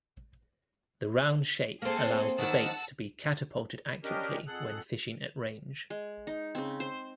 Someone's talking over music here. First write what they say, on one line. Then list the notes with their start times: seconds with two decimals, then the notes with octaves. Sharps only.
The round shape allows the baits to be catapulted accurately when fishing at range.
1.82 A#3 C4 G#4 A4
2.38 D#2 D#3 F#5 A5 E6
4.04 C#4 D4 G4 A#4 D#5
4.47 F2 G#4 A4 F#5 F#6
5.90 G#3
6.27 D#4
6.55 C#3 C4
6.80 C5